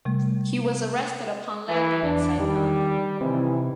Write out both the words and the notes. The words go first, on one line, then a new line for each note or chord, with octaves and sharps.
He was arrested upon landing in Saipan.
C3 G3 A3
E3
E2 D4
D#3 G3
C3 D#3 E3